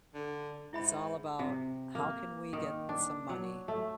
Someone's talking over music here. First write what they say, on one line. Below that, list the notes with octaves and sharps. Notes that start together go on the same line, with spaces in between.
it's all about how can we get some money,
D3
G#2 E4 E5 B5
C3
A#3
D#3
D4
F#3
A3